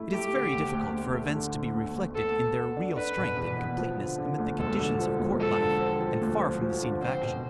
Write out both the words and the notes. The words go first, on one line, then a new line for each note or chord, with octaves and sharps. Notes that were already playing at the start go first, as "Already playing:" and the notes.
It is very difficult for events to be reflected in their real strength and completeness amid the conditions of court life and far from the scene of action.
Already playing: A3 E4
A3 G4
D3
D2
D2
D2
A3
D3
D3
D2
D2
B3 A4
B3
B3
D4
D4 B4
B2
E2
B3
F3
D3
D3
D2
E1 A4
D3
F3
E1
F3 A4
D3
C4
F3
D2
F3
F3
D3
C4 C5
B2